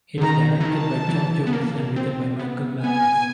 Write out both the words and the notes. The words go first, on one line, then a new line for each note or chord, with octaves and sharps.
It is directed by Chuck Jones and written by Michael Maltese.
D3
D#3 A#5
E3
D#3 A5
E3
B3
A#3
C4
B3
B3 G#5